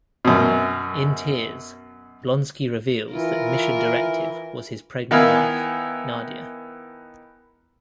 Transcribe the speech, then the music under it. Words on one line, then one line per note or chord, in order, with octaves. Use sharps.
In tears, Blonsky reveals that Mission Directive was his pregnant wife, Nadia.
F#2 B2
E3 E4 F4 A#4
D#3 B3 E4 F5 G#5